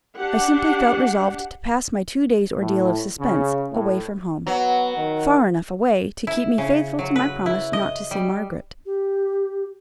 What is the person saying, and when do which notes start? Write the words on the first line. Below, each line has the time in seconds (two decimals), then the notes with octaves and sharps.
I simply felt resolved to pass my two days' ordeal of suspense away from home--far enough away to keep me faithful to my promise not to see Margaret.
0.17 D4 G4 F#5
2.58 A2
3.18 C#3
3.71 A2
4.47 F#3 B3
4.97 D#3
6.27 E4
6.58 C#3
6.99 F#3
7.16 B4
7.46 E4
7.73 D#5
8.11 G3
8.86 G4